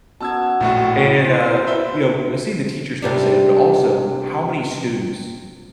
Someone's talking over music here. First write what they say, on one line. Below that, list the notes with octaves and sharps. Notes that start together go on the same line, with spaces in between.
And, uh, you know, seeing the teachers devastated, but also how many students
B2 C#4 A5 E6 G#6
A#1 A2 E4 F#4
C5 A6
B4 E5 G7
C3 G3 D4